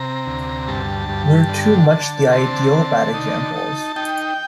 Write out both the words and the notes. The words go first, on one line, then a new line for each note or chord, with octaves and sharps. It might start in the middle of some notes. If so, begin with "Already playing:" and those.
We're too much the ideal bad examples.
Already playing: C3 A#5
D2
G2 A5
G2
D3
D3
C4 A5
D3
D#4
D#4
D#4 G5